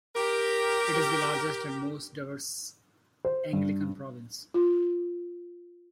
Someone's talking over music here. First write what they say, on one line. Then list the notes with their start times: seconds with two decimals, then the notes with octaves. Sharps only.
It is the largest and the most diverse Anglican province.
0.16 G4 A#4
3.25 C5
3.53 G2
4.54 F4